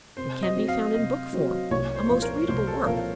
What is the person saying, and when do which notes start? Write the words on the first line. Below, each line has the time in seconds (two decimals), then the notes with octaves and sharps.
It can be found in book form, a most readable work.
0.17 C3 C5
0.43 D#5
0.56 F#3 C4 F#4
0.68 F5
0.94 C3 D#5
1.33 F#3 C4 F#4
1.71 C2 C#5
1.96 C5
2.10 A#2 F3
2.22 A#4
2.48 C2 C5
2.67 A4
2.86 A#2 F3 A#4